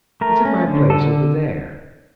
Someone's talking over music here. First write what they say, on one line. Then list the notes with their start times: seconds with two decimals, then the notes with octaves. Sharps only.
It's at my place over there.'
0.21 A3 A#4
0.45 C#4
0.67 D3
0.90 D3 A4